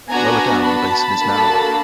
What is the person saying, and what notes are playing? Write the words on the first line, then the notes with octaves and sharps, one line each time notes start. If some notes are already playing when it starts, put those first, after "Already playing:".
Lower down the basin is narrower.
B3 D4 F#4 G#5 A#5
A5 B5
A#3 D4 F#4 A4